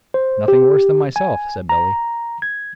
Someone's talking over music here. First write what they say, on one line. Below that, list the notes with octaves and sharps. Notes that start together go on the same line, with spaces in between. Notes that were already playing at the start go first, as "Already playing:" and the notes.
"Nothing worse than myself," said Billy.
C5
G4
G#5
A#5
G#6